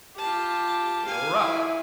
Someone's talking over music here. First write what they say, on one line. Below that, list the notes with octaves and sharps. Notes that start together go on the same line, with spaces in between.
It'll rot
F4 G4 A5
F5 G#5
E4